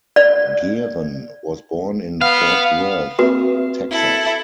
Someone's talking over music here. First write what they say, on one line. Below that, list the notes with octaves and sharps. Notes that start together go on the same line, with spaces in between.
Geren was born in Fort Worth, Texas.
D5
B3 F5
A#3 C4 F#4 B4 E5
E4 A4